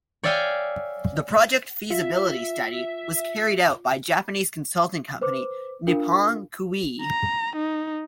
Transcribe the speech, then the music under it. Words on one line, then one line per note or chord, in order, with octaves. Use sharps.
The project feasibility study was carried out by Japanese consulting company Nippon Koei.
C#5 D5 E5 F5 G5 G#5
F4 E5
B4 C5 D6
D4 F4 A#4 F5
A#5
D#4